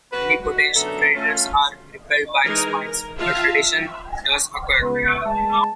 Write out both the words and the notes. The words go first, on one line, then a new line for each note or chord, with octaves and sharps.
Many potential predators are repelled by its spines, but predation does occur.
F#4 B4
F#4
F#2 D3 B3 A4 E5 A#5
A3 C#4 F4
E3 G#3 D#4 G#4 A#4 G#5
A#4
F4 E5 F5 A5
E5
C#2 B3 B4
G#3 A5